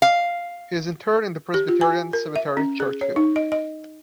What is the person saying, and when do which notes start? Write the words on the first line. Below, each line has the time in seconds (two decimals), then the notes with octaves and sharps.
He is interred in the Presbyterian Cemetery, Churchville.
0.02 F5
1.54 G4
1.68 F4
1.81 G#5
2.13 A#4
2.36 E5
2.57 C#4
2.80 G#4
3.01 C#5
3.16 D#4
3.36 D#5
3.52 D#5